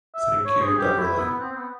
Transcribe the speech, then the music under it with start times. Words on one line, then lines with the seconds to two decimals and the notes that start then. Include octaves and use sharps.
Thank You Beverley.
0.15 E5
0.46 C#5
0.61 G#4
0.78 G4
0.98 E4
1.19 B3
1.40 C4
1.52 C4
1.56 B3